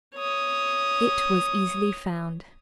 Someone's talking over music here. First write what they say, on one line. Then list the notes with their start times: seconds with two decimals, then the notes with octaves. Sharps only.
It was easily found.
0.15 C#5 D#6